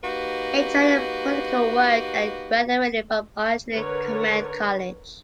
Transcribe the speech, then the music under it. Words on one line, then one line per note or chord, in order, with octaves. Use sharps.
Majored in political work and graduated from Artillery Command College.
A#3 D#4 F#4 G4 B4
D3 A#4 B4 C#5